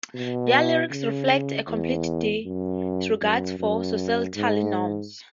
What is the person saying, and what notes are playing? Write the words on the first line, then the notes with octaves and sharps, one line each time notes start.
Their lyrics reflect a complete disregard for societal norms.
B2
C#3
E2
F#2
F#2
F#2
G#2